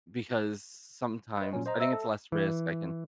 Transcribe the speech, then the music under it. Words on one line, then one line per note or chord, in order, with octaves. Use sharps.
because sometimes I think it's less risk, I can
B4 D#5
A#2 F#3 C#4
C5 D#5 A#5
E5 E6
A4
E3